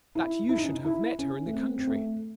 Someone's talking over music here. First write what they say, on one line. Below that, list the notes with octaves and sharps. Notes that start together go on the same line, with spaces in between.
That you should have met her in the country!
E4
E4
D#4
C#4
D#4
E4
C#4
A3
C4
C4
A3